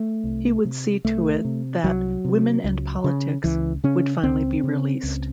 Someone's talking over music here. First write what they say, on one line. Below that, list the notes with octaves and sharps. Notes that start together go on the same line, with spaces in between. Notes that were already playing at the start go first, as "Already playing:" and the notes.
He would see to it that "Women and Politics" would finally be released.
Already playing: A3
C2
C3
C2 A3
C3
C2 F#3
C3
C#2
C#3
C#2 E3
C#3 C#4
C#2 C4
C#3
C#2